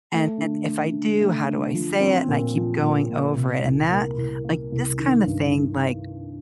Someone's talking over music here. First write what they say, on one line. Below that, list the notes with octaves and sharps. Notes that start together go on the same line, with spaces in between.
and and if I do, how do I say it?" And I keep going over it, and that like, this kinda thing, like,
A3
D3
A3
D3
A3
D3
F3
C4
A#2
F3
A#2
A#2
C3
C2
A#3
C2
A#3
C2
D#3
G2